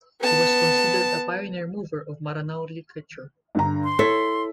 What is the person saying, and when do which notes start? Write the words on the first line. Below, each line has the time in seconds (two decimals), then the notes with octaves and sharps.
He was considered a pioneer mover of Maranao literature.
0.21 B3 A5
3.55 G2 D3 A#5
3.84 C6
3.99 E4 A4 C#5 B6